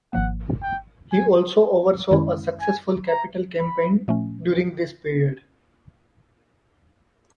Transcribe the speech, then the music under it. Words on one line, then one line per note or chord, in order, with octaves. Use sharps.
He also oversaw a successful capital campaign during this period.
G#1 G#2 F3 A#3 F#5
G5
G#5
F#2 D#3 G#3 C#4 E4
G#5
A#5
B5
A#2 F3 A3 C#4